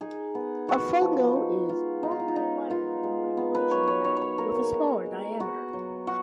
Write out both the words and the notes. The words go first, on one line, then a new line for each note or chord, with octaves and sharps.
A fungo is longer and lighter than a regulation bat, with a smaller diameter.
D#4 G#4
B3
B3 F#4
F3
D#4
G#3 F4
B3 D#4
F4
D#4
F4
G#3 D#4
B3 F4
G#3
B3
B4
F#3 C#5
C#5
D#4 C#5
B4 C#5
A#3 A#4
G#4
D#4 F#4
G#3
B3 F#4
F#3
F#4